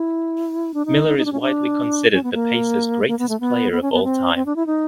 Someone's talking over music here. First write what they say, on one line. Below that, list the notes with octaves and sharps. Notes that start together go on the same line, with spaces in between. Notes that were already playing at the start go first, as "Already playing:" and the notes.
Miller is widely considered the Pacers' greatest player of all time.
Already playing: E4
D4
D#4
D#4
D4
C#4
D4
C#4
B3
A#3
A#3
B3
A3
B3
B3
C#4
B3
C4
C4
D4
E4
D#4